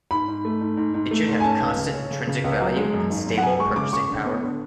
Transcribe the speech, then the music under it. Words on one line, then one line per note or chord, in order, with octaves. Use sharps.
It should have constant intrinsic value and stable purchasing power.
G#2 B5
G#2
A3
G#2
G#2
G#2
A3
G#2
G#5
C#4 A5
C#2
C#3
C#4
C#3
C#3
C#2
F#3
G#3
F#2
G#1
F#2
F#5
F#2 G#5
G#3 C#6
C#3 D6
C#3 C#6
D3
B3
D3